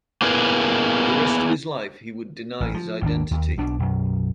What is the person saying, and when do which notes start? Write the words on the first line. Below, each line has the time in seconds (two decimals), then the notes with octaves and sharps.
For the rest of his life he would deny his identity.
0.22 A#3 B3 E4 G#4 A#4 B4
2.60 A1
2.74 F3
3.02 G#1 D#2 D4
3.31 D#2
3.58 B1 B2 D4
3.79 B1 F#2